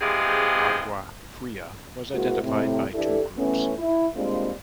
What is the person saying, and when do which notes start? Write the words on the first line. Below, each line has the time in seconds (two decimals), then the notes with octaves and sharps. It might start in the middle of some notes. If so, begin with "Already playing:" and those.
Agua Fria was identified by two groups.
0.02 C3 E3 F3 G#3 G4 G#4
2.13 G#3 A#3 C4 E4 F#4
2.43 A2 C3
2.94 E3 D4 E4 G4 A4
3.37 E3 A3 B3 C#4
3.78 E4
4.16 G3 G#3 A#3 C4 D4 F4